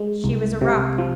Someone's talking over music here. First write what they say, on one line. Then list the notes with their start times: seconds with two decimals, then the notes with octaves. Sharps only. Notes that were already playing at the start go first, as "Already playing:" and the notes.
She was a rock.
Already playing: G#3
0.24 C2
0.61 C3
0.98 F3